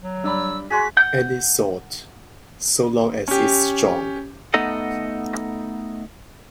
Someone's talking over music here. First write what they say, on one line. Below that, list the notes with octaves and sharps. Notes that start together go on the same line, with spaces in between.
Any sort, so long as it's strong.
F#3
G2 D5 B5 E6
G#3 F#4 G#4 B6
F#5 G6
C#4 G4
A3 B3 D#4 A4 D#5 F#5